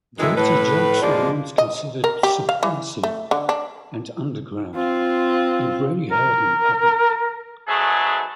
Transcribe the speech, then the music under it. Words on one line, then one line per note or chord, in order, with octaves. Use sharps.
Dirty jokes were once considered subversive and underground, and rarely heard in public.
F#2 A2 E3 G#3 G#4 E5
A2 B4
F#2 F3 G#3 A#3 D5
D#5
A#4
G4
F5
E3
A3
D3
D4
C4 F4
A#4
G#2 F#3 A3 B3 G#4